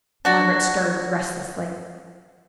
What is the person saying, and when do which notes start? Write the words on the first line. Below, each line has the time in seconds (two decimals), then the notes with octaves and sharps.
Margaret stirred restlessly.
0.25 D4 F#4